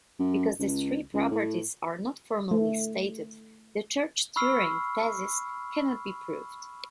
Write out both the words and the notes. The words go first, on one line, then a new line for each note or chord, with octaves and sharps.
Because these three properties are not formally stated, the Church-Turing thesis cannot be proved.
F#2
C#2
C#2
A2
A3
B5 C#6 E6 F6 C7